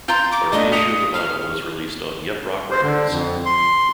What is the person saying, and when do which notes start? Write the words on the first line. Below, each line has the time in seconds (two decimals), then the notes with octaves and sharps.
A reissue of the vinyl was released on Yep Roc records.
0.08 F4 A#5 C6 G6
0.32 D6
0.52 A3 D4 D#5
0.72 D#6 B6 C#7 F7
1.14 F6
2.71 C5
2.82 D3
3.11 F2
3.46 C6